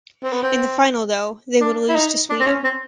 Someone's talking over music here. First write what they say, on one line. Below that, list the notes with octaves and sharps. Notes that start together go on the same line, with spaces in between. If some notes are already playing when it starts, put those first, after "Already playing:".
In the final though, they would lose to Sweden.
C4
B3
C4
D4
E4
D#4
D4
C4
C#4
C4